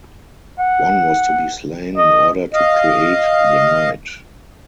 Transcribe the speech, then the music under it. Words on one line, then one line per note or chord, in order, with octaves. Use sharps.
One was to be slain in order to create the night.
F#5
D#5
D#5 F5